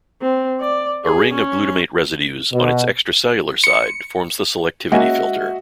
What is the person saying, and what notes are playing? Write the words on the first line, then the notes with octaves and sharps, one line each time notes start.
A ring of glutamate residues on its extracellular side forms the selectivity filter.
C4
D5
G#4
C#4
B2
C6 C#7
G#3 A#3 C#4 F#4 D#5 E5